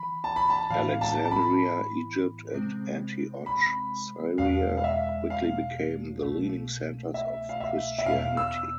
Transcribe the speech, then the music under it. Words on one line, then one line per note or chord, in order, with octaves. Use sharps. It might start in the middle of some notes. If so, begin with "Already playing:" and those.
Alexandria, Egypt and Antioch, Syria quickly became the leading centers of Christianity.
Already playing: E3 B5
A5
B5
A5
A2 E3 B3 E4 F5
A5
A5
B5
C3 G#3 C4
B5
E2 B2 G#3 F5
F5
E5
F5
C2 B2 A3
E5
F5
E5
E5
E2 B2 B3 F5
E6